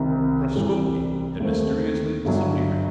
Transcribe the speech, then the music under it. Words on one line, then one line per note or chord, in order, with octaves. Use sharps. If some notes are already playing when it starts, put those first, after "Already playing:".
Prascovie had mysteriously disappeared!
Already playing: C2 C3 D#3
C2 C3 E3 G3
D#2 D#3 A3 C4
G1 G2 F#3